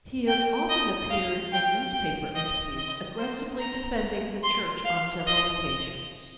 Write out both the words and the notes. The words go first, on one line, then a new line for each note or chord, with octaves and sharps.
He has often appeared in newspaper interviews, aggressively defending the church on several occasions.
G5
D#5
F5
G5
G5
D#5
D#5
C5
A#5
C6
F5
D#5